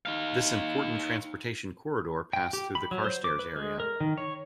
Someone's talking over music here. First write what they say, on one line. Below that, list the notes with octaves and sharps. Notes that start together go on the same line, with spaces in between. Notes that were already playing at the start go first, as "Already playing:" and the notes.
This important transportation corridor passed through the Carstairs area.
D#4 F5
G5
G4
B5
F#3
C5
D6
B4
G#3
A#4
D#3
C#5